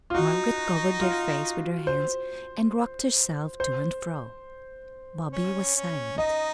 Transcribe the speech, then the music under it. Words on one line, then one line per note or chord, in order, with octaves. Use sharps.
Margaret covered her face with her hands and rocked herself to and fro. Bobby was silent.
F4
D#4 F#4
F4
C5
C5
C#4
C#4
D#4 D#5